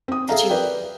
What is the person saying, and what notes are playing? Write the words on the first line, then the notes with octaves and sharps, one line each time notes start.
Did you
C4 D#6
G#4 A4 E5 F5 A#5
A#4 B4 D5 G5